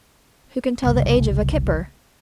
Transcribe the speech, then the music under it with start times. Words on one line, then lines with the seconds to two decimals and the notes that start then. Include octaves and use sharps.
Who can tell the age of a kipper? . . .
0.83 F#1 C2